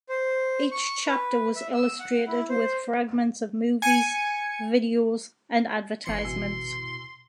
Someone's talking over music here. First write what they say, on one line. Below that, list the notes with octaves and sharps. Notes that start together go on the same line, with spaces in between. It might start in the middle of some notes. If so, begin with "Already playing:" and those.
Each chapter was illustrated with fragments of movies, videos and advertisements.
C5
C#6
B4
E5
E6
F#5
E4
C5
G#5 C#7
G1 E3 C6 C#7
B2 G#5 E6